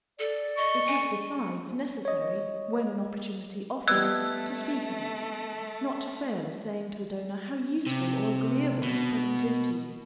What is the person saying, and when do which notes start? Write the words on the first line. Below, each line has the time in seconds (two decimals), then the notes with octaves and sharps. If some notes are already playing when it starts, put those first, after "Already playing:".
It is besides, necessary, when an opportunity offers, to speak of it, not to fail of saying to the donor, how useful or agreeable his present is to you.
0.19 A4 D5
0.57 D#5 C#6
0.87 G#5
2.05 C#5 D#5
3.88 G3 A3 B3 D#5 E6 F#6 G#6
7.87 C3
8.83 B2